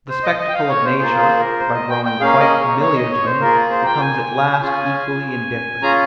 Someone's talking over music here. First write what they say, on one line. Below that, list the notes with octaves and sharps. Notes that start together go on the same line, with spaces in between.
The spectacle of nature, by growing quite familiar to him, becomes at last equally indifferent.
C5
D#5
D#5
G5
F5
C#5
C5
A#3 F4 G#4 C5
C5
A#4
C5
D#5
G5
G5
A#3 C#4 G#4 F5
D#5
C#5
C#5
D#5
C#5
C5
A#3 F4 G#4 A#4
C5
G5
G#5
C#4 F4 G#4
C#4 F4 G#4 A#5